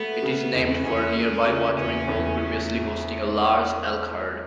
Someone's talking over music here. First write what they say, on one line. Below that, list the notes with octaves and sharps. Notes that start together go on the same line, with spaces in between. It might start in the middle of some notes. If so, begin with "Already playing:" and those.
It is named for a nearby watering hole previously hosting a large elk herd.
Already playing: A3 B3
C#3
E2
E2 C#4
A3
C#3
E2 C#4
E2